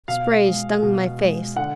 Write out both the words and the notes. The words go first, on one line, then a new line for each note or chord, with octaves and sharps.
Spray stung my face.
B2 F5
G#3
B2
G#3
D3 F#5